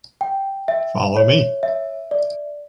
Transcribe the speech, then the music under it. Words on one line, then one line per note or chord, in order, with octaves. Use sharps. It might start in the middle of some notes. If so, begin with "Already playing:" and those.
Follow me.
G5
E5
C#5
E5
D5